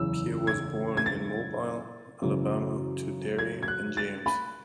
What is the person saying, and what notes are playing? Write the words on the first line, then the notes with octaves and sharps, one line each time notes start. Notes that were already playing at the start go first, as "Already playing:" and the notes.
Pierre was born in Mobile, Alabama to Derry and James.
Already playing: F#1 E2 C#3 E3 E6
G#6
G#6
A6
F#2 C#3 E3
G#6
G#6
F#6
A6
B5